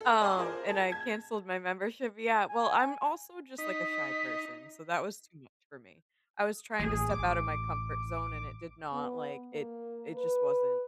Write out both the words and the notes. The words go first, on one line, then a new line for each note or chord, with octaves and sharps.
Um, and I cancelled my membership. Yeah. Well, I'm also just, like, a shy person, so that was too much for me. I was trying to step out of my comfort zone and it did not, like it it just wasn't
A4
D5 G#5 A5 C6 D6
F4 G#4 A#4 C5
G#4 A5
A5 G#6
G#5
D#4 B6
A1 G#4
A1 D6
B3
A#3
B4